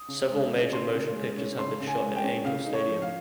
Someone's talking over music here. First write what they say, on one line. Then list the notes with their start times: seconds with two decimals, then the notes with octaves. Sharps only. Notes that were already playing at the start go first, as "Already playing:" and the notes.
Several major motion pictures have been shot at Angel Stadium.
Already playing: D#6
0.08 C#3
0.30 G#3
0.51 C#4
0.72 C#3 C6
0.94 C#3
1.16 G#3
1.37 C#4
1.58 C#3 C6
1.80 C#3
1.87 G#5
2.02 G#3
2.16 G5
2.23 C#4
2.45 C#3 F5
2.66 D#4
2.74 C#5
2.88 F3
3.02 F5